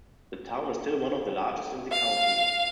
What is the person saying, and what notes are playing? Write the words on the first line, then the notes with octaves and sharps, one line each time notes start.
The town is still one of the largest in the county.
F5